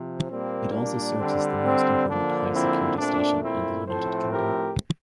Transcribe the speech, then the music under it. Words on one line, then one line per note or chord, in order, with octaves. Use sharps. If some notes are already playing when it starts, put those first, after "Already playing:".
It also serves as the most important high-security station in the United Kingdom.
Already playing: C3 F3
A#2 G3 A#3 C4
D4
D3 G3 C4
C4
D3 F3 A#3 D4
C4 E4
A#2 A3 C4 D4
C4 E4
A2 F3 A3 C4 A4 C5
G4 A#4